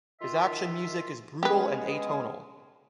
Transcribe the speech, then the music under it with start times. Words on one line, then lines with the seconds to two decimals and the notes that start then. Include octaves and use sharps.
His action music is brutal and atonal.
0.21 D#3 F4 E5
1.43 G#3 B3 C#4 G4 G#4 B4